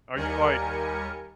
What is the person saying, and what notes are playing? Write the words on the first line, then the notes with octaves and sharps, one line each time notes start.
"Are you like"
D#2 G3 A#4 G#5 C#7